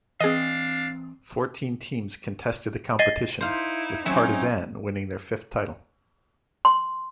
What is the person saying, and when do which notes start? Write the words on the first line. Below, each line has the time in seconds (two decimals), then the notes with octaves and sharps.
Fourteen teams contested the competition, with Partizan winning their fifth title.
0.21 E3 C4 D4 G#4 D#5 F5
2.99 D#5 G#5 A6 C7
3.41 D#4 E4 C5 F5
4.06 F#3 C4 C#4 D#4 E5
6.65 C6